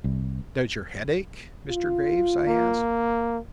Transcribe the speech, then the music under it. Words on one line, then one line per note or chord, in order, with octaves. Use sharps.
"Does your head ache, Mr. Graves?" I asked.
C2
F4
A#3